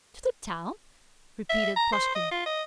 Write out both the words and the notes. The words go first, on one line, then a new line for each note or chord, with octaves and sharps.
"To the town?" repeated Plushkin.
E5
A#5
C5
D#5
F4
D#5